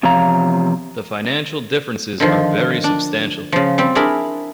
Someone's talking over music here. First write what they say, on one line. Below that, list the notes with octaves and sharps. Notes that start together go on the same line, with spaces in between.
The financial differences are very substantial.
E2 C3 F3 C#5 F5 A#5
D3 D#3 F3
D4
C#3 F3
G3 C4
D4 E4 G#4 A#4 B5